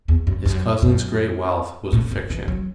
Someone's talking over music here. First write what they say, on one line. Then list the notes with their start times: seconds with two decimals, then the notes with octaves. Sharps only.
His cousin's great wealth was a fiction.
0.08 E2
0.27 F#2
0.45 F#2
0.82 F#2
1.93 A2
2.11 F#2
2.30 E3
2.48 F#3